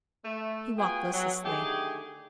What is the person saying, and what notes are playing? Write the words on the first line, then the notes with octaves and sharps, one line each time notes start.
He walked listlessly.
A3
B3 F4 F#4 G#4 G5 G#5
F#3
D3 D#3 A3 G4 G#4